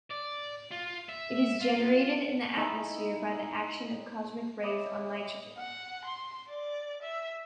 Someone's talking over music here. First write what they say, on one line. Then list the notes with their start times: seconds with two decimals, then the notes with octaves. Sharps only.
It is generated in the atmosphere by the action of cosmic rays on nitrogen.
0.10 D5
0.71 F4
1.09 E5
1.61 F4
2.57 D#4 E4 G#5 B5
4.63 C#5 D#5 E5 B5 D6 D#6
5.58 F#5
6.05 C6
6.48 D5
7.03 E5